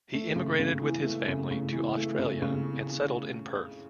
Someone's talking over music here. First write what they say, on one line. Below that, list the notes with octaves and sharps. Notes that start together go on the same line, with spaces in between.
He immigrated with his family to Australia and settled in Perth.
A3
C#3
C#3
E3
A3
C#3
C#3
E3
A3
C#3
C#3